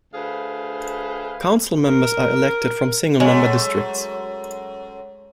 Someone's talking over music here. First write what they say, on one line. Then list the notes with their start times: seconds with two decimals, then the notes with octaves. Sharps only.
Council members are elected from single-member districts.
0.14 D2 G#4 B4 C5 F5
1.87 A#4
3.20 F#2 G#3 A3 C#5